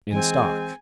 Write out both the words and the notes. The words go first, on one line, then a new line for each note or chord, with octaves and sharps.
"In stock?"
E3 G#3 C4 G#5